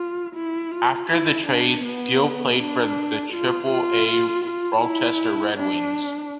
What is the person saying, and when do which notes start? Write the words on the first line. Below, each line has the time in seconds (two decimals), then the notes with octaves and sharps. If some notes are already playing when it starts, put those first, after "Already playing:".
After the trade, Gil played for the Triple-A Rochester Red Wings.
Already playing: F4
0.35 E4
0.71 F4
1.10 E4
1.47 D4
1.84 B3
2.57 D4
3.33 F4
3.69 F4
4.44 F4
4.81 E4
5.56 D4